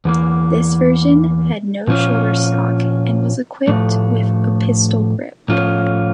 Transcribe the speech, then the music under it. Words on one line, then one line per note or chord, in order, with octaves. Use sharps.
This version had no shoulder stock and was equipped with a pistol grip.
E2 E3 A#3
A#2 F3 C#4 F4
A2 F3 A3
A2 F3 C#4 F4